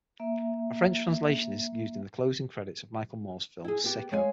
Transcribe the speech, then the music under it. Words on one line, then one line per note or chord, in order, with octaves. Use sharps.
A French translation is used in the closing credits of Michael Moore's film "Sicko".
A#3 E5
E4 G#4
B3 G4
G#3 C#5 F5 G#5